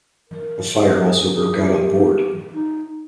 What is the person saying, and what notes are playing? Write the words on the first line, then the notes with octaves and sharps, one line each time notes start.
A fire also broke out on board.
A#4
G4
G#4
G#4
E4
G4
D#4